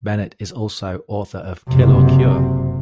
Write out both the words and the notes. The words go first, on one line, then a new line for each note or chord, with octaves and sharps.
Bennett is also author of Kill or Cure?
F#1 C3